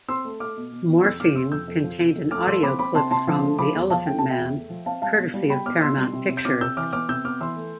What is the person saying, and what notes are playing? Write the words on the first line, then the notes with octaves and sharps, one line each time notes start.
"Morphine" contained an audio clip from "The Elephant Man", courtesy of Paramount Pictures.
C4 C6 E6
A3
A3 D6 F6
B2
B2
B2
F2 E6 G6
C3 D6 F6
C3 C6 E6
F2 E6 G6
F2
F3
C3
F2
A3 D6 F6
F3 C6 E6
C4 B5 D6
C4 B5 D6
C3 A5 C6
C3 A5 C6
F3
A3
F3 B5 D6
E2
F3 F5 A5
A3 G5
C3 A5
E5 G5
E2
A3
F3
C4 F5 A5
G3 F5 A5
B2
G3
B2 G5 B5
B2 D6 F6
B2 C6 E6
G3
C3
C3
G6
C3 D6 F6
C3 E6 G6
E3 D6 F6
B3 D6 F6
C3 E6 G6
B3 D6 F6
E3 C6 E6
A3